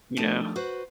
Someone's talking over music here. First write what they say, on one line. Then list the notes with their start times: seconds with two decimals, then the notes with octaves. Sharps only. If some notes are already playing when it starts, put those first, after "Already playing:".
You know?
0.17 D#3 F3 G3 A3 D4 D#4
0.56 F#4 B4 C5